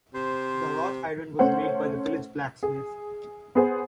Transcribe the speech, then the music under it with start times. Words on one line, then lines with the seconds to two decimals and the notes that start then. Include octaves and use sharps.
The wrought iron was made by the village blacksmith.
0.14 C3 C5
1.39 A3 C#4 C5 F#5
2.63 G#4
3.55 B3 G#4 C5